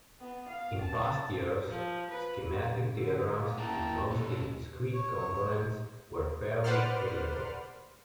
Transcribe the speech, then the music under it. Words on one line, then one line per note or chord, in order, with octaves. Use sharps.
In past years, schematic diagrams with mostly discrete components were fairly readable.
B3
F5
A5
F3
B4
D3
A#3 B3
A#3 E4 G5 A5 A#5
B1 C#4 A4
C#5
B4 C5 D5 F#5 C6 F6